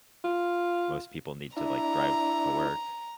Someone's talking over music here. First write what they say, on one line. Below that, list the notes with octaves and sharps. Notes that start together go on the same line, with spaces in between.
Most people need to, like, drive to work
F4
D4 E4 A#5